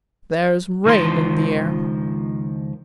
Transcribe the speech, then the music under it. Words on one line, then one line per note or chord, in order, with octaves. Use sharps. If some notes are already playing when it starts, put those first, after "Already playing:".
"There's rain in the air."
C#2 D#3 F3 G#4 C6